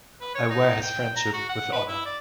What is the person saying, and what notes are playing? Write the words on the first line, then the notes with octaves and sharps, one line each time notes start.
I wear his friendship with honor.
B4
C#5
D#4
G5
G5
A#5
F#4
F#5
B4
E4
D5